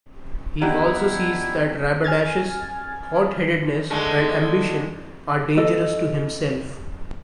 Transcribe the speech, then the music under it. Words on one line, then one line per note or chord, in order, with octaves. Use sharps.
He also sees that Rabadash's hot-headedness and ambition are dangerous to himself.
B3 D4 E4 G4 D#5 F#5 A#5
G#5 F6 G#6 A6
D3 G#3 A3
A4 D#5